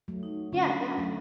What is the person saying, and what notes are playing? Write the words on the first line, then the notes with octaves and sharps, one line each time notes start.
Yeah, yeah.
F#3 A3
D#4
D3 C#4
F#3 A3